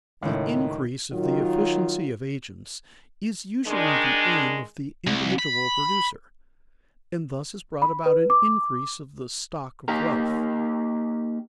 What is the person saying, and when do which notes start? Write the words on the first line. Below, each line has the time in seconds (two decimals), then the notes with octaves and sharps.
The increase of the efficiency of agents is usually the aim of the individual producer, and thus is brought about an increase of the stock of wealth.
0.23 C#2 A2 D#3
1.12 D#3 F#3 F4
3.67 D#3 G#3 D4
5.07 C2
5.39 B5
7.82 B5
8.06 B4
8.30 D6
9.88 A#3 D#4 G4 A#4